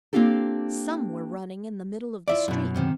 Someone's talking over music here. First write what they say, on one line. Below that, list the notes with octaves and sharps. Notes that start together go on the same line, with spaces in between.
Some were running in the middle of the street.
A#3 C4 D4 F4 G4 A4
E4 F4 D5 E5
F#2 B2
G#2 C3 D#3